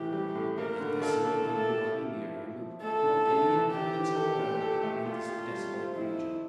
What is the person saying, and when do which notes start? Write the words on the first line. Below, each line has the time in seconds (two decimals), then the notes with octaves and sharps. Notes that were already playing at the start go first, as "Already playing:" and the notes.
Yet there seemed to be nobody near him, nor any inhabitants at all in this desolate region.
Already playing: A2 C3 E3 G4
0.13 G3
0.35 A2
0.58 A#3 A#4
0.80 D3
1.02 A#3 A4
1.25 A#3
1.47 E4 A4
1.69 G4
1.92 E4
2.14 F3
2.36 E4
2.59 F3
2.82 A3 A4
3.04 A2
3.27 C3
3.49 E3
3.71 E3 G4
3.94 E3
4.16 A4
4.39 A#2
4.62 A4
4.83 A3
5.05 F4 G4
5.29 G4
5.51 G3
5.73 C4
5.95 F2 E4
6.18 F2